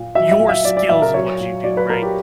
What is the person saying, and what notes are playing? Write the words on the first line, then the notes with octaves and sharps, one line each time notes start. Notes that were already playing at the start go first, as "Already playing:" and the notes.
your skills and what you do, right?
Already playing: A#2
F#3 E5
E5
A#2
E5
F#3 D5
D5
A#2 E5
A#4
F#3 C#5
A#2
F#3 D5
B4
A#2 A#4
G4